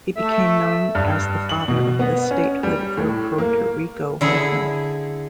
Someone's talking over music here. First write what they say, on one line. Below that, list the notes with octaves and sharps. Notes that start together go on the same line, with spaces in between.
He became known as the father of the statehood for Puerto Rico movement.
A3 E5
G2
F#7
B2
B3
C#4
G3
A2
A#3
D3 E4 G#4